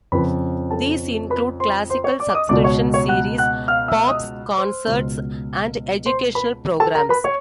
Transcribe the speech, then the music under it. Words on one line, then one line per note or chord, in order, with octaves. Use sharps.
These include classical subscription series, pops concerts, and educational programs.
F2 C#3 F3 B4 B5
A4 A5
B4 B5
C5 C6
C5 C6
C#5 C#6
D5 D6
D6
D#5 D#6
C#2 B2 D5 D6
C#5 C#6
C#5 C#6
F#5 F#6
F#5 F#6
F5 F6
E5 E6
D#5 D#6
C5 C6
C#2 B2
C5 C6
B4 B5
A4 A5
A#4 A#5
B4 B5
C#5 C#6